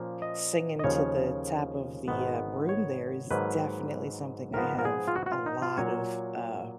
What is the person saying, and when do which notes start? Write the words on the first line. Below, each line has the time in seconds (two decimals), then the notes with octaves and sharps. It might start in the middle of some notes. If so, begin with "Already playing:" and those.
singing to the top of the, uh, broom there is definitely something I have a lot of, uh,
Already playing: A#2 F3 A#3 C#4
0.22 D#5
0.79 D#5
0.84 D#2 C#3 F3 C#5
2.08 G#1 G#2 D#3 G#3 B3
2.69 C#5
3.31 G#2 D#3 F#3 A#3 B4
4.54 G#2 F3 B3 A#4
4.79 A#4
4.85 G#4
5.08 F4
5.16 F#4
5.26 F#4
5.32 F4
5.46 D#4
5.62 F4
5.78 A#2 F#3 A#3 C#5